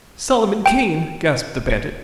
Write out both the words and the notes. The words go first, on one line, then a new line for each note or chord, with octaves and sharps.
"Solomon Kane!" gasped the bandit.
G5